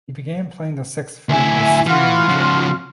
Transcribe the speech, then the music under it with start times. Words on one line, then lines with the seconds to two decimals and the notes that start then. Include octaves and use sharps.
He began playing the saxophone as teenager.
1.29 D2 E4 E5 G#5
1.87 E3 F4 F#4 F6
2.29 C#3 F3